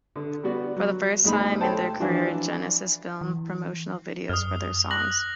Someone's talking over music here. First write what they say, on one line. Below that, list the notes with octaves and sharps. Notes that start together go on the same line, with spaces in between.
For the first time in their career, Genesis filmed promotional videos for their songs.
D3
G3 B3 F#4 D5
F#3
D2 B2 G#3 D#4 B5
A4 C5 C#5 G5 A5
E3 F3 D4 F4 F#4
E3
F#2 D#6 F6
F#6 A#6 F#7